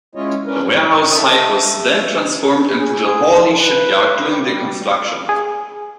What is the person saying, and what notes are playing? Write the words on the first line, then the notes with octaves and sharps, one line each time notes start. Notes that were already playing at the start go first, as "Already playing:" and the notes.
The warehouse site was then transformed into the Hawley Shipyard during the construction.
G#3 C#4 E4 F4 C#5 D#5
C#4 D4 A#4 B4
F2 G#2 B2 E3 B4
A3 D#5
G#4
B4
G3
G#4